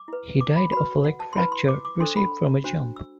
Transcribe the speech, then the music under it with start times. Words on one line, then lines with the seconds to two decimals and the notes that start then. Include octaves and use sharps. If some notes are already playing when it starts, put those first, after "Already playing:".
He died of a leg fracture received from a jump.
Already playing: D6
0.08 E4 B4
0.41 D6
0.56 B5
0.72 F#4 B4 B5
1.05 F#5
1.20 A5
1.33 C6
1.36 E4 B4 B5
1.52 C6
1.68 D6
1.85 D6
2.00 D4 A4 C5 C6
2.16 B5
2.64 D4 F#4 C5
2.96 E6